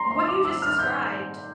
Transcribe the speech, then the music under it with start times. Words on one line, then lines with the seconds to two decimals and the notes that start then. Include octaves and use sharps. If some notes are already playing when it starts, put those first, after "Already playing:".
what you just described
Already playing: A#5 C6
0.11 C6
0.28 D6
0.45 E6
0.62 F6
0.72 F6
0.79 G6